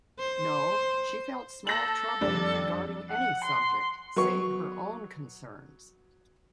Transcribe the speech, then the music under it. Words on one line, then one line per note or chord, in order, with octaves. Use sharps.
No, she felt small trouble regarding any subject, save her own concerns.
C5
A4 A5 A#6 F#7
F2 G3 D4
F#5
C6
F#3 B3 C#6